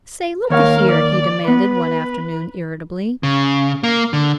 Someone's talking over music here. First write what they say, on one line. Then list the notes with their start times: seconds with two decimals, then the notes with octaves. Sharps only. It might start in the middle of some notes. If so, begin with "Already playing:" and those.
"Say, look a-here," he demanded one afternoon, irritably.
0.50 D#2 A#4 C#5 F5
0.92 D5
1.48 B3 B4
3.23 C#3
3.84 A#3
4.13 D3